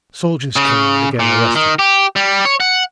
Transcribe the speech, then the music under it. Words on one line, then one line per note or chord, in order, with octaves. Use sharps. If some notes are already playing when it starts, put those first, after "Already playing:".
Soldiers came and again arrested him.
C#3
A#2
D#3
G4
G3
C#5
F#5